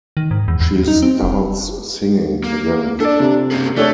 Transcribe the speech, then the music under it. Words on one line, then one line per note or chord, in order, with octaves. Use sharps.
She starts singing again.
D#3
G#2
E2
E2
D#4
C4
F1
A#3
D4 A4 D5
C3
A#3 C#4 G#4
A3 D4 A4 C#5